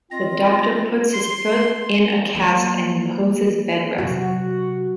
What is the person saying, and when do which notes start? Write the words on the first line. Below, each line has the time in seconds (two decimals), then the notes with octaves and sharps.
The doctor puts his foot in a cast and imposes bed rest.
0.11 C4 F4 D#5 A#6
1.14 C6
2.35 F#3 A#3
3.98 C3 F#3 F#4